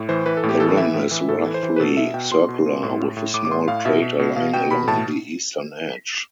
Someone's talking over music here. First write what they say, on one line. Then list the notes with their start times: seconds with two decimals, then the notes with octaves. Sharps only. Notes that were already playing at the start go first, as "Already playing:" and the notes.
The rim is roughly circular, with a small crater lying along the eastern edge.
Already playing: A2
0.09 E3 C5
0.26 E3 B4
0.37 A4
0.43 A2
0.49 G4
0.60 E3 A4
0.77 E3 E5
0.94 A2
1.11 E3
1.29 A2 A4
1.46 E3
1.54 C5
1.63 E3
1.76 B4
1.80 B2 A4
1.97 B2 E5
2.14 B2 G5
2.31 B2 C6
2.49 B2
2.66 B2
2.83 A2
3.00 A2
3.17 A2
3.34 A2 D6
3.45 D6
3.51 A2 C6
3.68 A2 F5
3.85 B2 E5
4.02 B2
4.19 B2
4.36 B2 F5
4.54 B2 G5
4.71 B2 B5
4.87 A2 A5